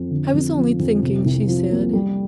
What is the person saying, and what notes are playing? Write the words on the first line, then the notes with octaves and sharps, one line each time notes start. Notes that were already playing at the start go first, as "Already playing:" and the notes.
"I was only thinking," she said.
Already playing: F2
D3
F2
F3
F2
C3
C2
F3
A#3
G3